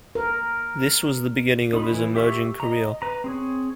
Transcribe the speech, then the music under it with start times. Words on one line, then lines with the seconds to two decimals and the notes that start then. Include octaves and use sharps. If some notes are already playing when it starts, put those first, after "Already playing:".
This was the beginning of his emerging career.
0.15 A#4
1.73 D#4 F4 B5
1.92 E3 E4
2.15 G4 E5 C#6 E6
2.60 D#5 A#5
3.02 B4 A#5
3.24 C4 G#4 C#5